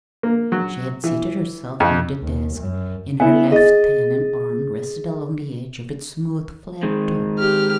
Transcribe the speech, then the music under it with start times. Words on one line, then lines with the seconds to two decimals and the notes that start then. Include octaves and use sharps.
She had seated herself near the desk, and her left hand and arm rested along the edge of its smooth flat top.
0.23 A#3
0.52 F#3
1.04 E3
1.80 F2
2.22 D#2
2.55 F#2
3.20 B3 E4 G#5
3.52 G#4 D#5 A6
6.83 D#3 G#3 C4
7.39 G4 F6